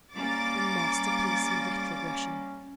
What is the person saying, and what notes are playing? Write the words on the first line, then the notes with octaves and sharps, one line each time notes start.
A masterpiece in retrogression.
G3 A#3 C#4 D6 A6